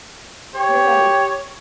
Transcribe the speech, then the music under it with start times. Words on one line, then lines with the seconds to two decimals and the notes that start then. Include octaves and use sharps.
your family.
0.55 G4 C#5